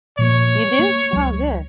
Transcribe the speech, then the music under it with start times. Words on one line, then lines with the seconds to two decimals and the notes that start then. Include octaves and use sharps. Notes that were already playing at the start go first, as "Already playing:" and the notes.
You do? Oh, good.
0.19 A#2 F3 A#3 C#5
0.79 A#3
1.13 C#2 F#3